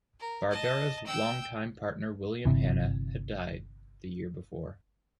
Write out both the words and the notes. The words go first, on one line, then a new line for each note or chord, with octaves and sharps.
Barbera's longtime partner William Hanna had died the year before.
A#4
D#5 A5
G5 E6
G1 C3 E3